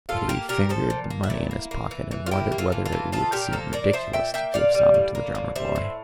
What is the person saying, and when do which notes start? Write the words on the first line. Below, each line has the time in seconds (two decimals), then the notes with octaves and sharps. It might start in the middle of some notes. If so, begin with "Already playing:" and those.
But he fingered the money in his pocket and wondered whether it would seem ridiculous to give some to the drummer boy.
0.09 A#2 F4 A4
0.29 A#3 G4 A#4
0.49 A#2 G4 A#4
0.69 F3 A4 C5
0.90 A#2
1.10 A#3
1.23 E4
1.30 A#2
1.51 A#3
1.71 A#3
1.91 E3
2.11 E3
2.26 F4
2.31 A#3 E4 G4
2.52 A#3
2.58 F4 A4
2.72 E3
2.86 F4 A4
2.92 E3
3.12 F3 F4 A4
3.32 A#2 G4 A#4
3.53 A#3 A4 C5
3.73 A#2 A#4 D5
3.93 F3 C5 E5
4.13 A#2 E5 G5
4.34 A#3 E5 G5
4.54 A#2 D5 F5
4.74 G3
4.94 A2
5.15 A#3
5.35 A2
5.56 G3 C5 E5
5.76 A2